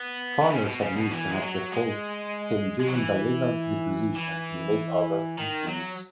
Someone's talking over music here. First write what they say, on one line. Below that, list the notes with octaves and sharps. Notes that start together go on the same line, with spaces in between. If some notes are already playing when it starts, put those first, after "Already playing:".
Fowler's admission of default came during a legal deposition in late August in Phoenix.
Already playing: B3
D#3
C#3
B2
C#3
B2
E3
G#3
F#3
G#3
G#3
F#3
E3
E3
D#3
F#3